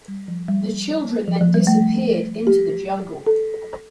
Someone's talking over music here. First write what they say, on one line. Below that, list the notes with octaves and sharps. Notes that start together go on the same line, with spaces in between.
The children then disappeared into the jungle.
G3
F3
G3
F3
F3
G3
A3
G4
A4